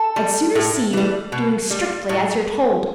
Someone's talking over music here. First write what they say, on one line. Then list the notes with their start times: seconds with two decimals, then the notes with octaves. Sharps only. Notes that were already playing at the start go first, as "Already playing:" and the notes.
I'd sooner see you doing strictly as you're told.
Already playing: A4
0.16 G3
0.55 A2
0.93 E3 G3
1.32 B2
1.70 G3
2.09 A2